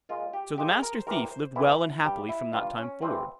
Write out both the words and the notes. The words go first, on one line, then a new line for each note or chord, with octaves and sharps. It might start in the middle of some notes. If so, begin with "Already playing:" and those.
So the Master Thief lived well and happily from that time forward.
A#2 G#3 F4
G4
A#2 G#3 G4
G#4
A#4
C5
E2 C3 E3 A#4
C5
E2 C3 E3 E4
G2 G3 G4
E4
G2 G3 F4
C#4
G2 E3 G3 C4